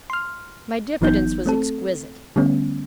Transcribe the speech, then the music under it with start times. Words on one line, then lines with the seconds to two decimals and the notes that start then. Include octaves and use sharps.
My diffidence was exquisite.
0.10 C6 F6
1.01 G1 E3 F#3 B3 D#4 G6
1.46 A3 C4 A4
2.36 D3 G3 A3 B3 C#4